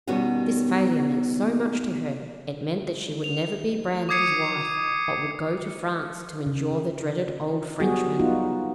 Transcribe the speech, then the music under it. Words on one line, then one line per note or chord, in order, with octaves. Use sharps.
This failure meant so much to her; it meant that she would never be Brandon's wife, but would go to France to endure the dreaded old Frenchman.
B2 D#3 G3 B3 C#4 F#4
F7
D6 D#6 G#6 C7 C#7 D#7
C#3
F#3 G3 B3 F#4 G#4
B3 D#4 F4 F#4